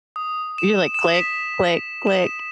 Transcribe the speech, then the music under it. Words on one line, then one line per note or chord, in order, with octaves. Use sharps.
You're like, "Click, click, click."
D#6
E7
E7
B6
E7